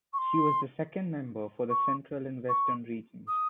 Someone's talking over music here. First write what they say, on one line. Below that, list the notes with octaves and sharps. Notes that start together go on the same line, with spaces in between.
She was the Second Member for the Central and Western Regions.
C#6
C6
C#6
C#6
D#6